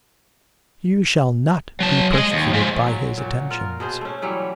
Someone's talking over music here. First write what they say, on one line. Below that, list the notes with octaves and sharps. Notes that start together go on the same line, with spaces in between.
'You shall not be persecuted by his attentions.'
F#3 A5
G#3 D#5
D#2
F3 G#3
F#3
A#2 F#4
F4 A#4
B2 G#4 C5
A3 C#4
E3 F#3 G3 C#5